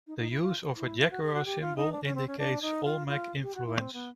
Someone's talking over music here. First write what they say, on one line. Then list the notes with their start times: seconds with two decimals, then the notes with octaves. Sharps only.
The use of a jaguar symbol indicates Olmec influence.
0.07 D#4
0.18 D#4
0.30 E4
0.41 F4
0.76 E4
0.99 F4
1.11 F#4
1.23 G#4
1.34 F#4
1.45 G4
1.61 F4
1.76 D#4
1.92 D4
2.03 C#4
2.15 C4
2.27 C#4
2.39 D4
2.62 D#4
2.84 F4
3.08 F4
3.43 G4
3.55 F#4
3.66 E4
3.78 C4
3.93 B3